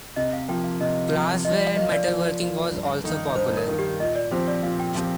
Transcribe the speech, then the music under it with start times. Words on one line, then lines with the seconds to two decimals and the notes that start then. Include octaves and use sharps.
Glassware and metalworking was also popular.
0.16 C3 D#5
0.33 F5
0.49 F3 A#3 G5
0.64 F5
0.80 C3 D#5
1.12 F3 A#3
1.44 F3 D#5
1.61 D5
1.76 A#3 F4 D#5
1.92 D5
2.08 F3
2.40 A#3 F4
2.72 G2
3.04 D#3 A#3 D#4
3.36 G2 C5
3.57 A#4
3.68 D#3 A#3 D#4
3.79 G4
4.00 A#2 D#5
4.16 D5
4.31 F3 C4 G4 C5
4.48 D5
4.63 A#2 F5
4.80 G5
4.95 F3 C4 G4 F5